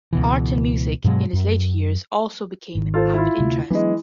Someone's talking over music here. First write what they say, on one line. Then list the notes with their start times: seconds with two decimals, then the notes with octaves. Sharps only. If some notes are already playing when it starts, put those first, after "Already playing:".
Art and music, in his later years, also became avid interests.
0.13 C#2 B2 E3
1.04 G2 B2 F#3 G#3
1.33 F#2
2.75 G#1 D#3
2.94 F4 A4 C5
3.14 E4 F4
3.38 D2 C3 A3
3.70 E3 F#3 G#3 B3 D4